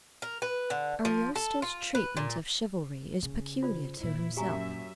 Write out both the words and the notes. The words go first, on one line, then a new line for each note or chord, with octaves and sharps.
Ariosto's treatment of chivalry is peculiar to himself.
A#4
B4
D3
F3
A4
F4
B4
A#2
C#3
F4 C5 D5
F2 A#2 E4
F#2 G4 E5 G#5 A#5